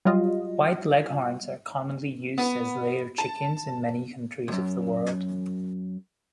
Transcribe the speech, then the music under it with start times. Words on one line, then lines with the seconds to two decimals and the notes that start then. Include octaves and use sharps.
White Leghorns are commonly used as layer chickens in many countries of the world.
0.05 F#3 G3 F4 D#5
2.38 B3
3.18 A5
4.48 C#2 F#2